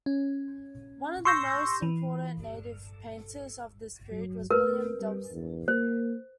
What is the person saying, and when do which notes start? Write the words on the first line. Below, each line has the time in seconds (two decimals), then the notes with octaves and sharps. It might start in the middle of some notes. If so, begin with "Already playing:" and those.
One of the most important native painters of this period was William Dobson.
0.06 C#4
1.25 C6 C#6 E6 G6 A#6
1.82 E3
4.11 F#3
4.51 A3 A#4 B4
5.01 G3
5.33 E2
5.68 A#3 C5